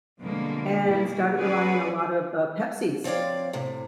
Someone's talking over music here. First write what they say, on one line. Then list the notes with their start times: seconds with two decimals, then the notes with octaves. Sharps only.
And started relying a lot of, uh, Pepsi's,
0.20 F2 B2 D3 G3 G#3 A#3
0.85 B2 D#3 A#3 E4
1.38 B3 C#4 G#4 B4 C#5 D5
3.04 F3 C4 C#5 D5 F5
3.53 A2 C3